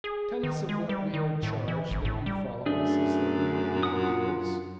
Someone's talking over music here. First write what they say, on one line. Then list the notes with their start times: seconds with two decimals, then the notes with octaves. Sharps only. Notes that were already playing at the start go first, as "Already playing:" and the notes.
"Tell us of what we are charged that you follow us as though we were evil-doers."
0.04 G#4
0.43 D#3
0.69 G#3
0.89 G3
1.14 D#3
1.43 A2
1.68 E3
1.91 G#1
2.05 A2
2.26 G3
2.66 F#2 A3 D4 G#4
3.83 F4 F#5 D#6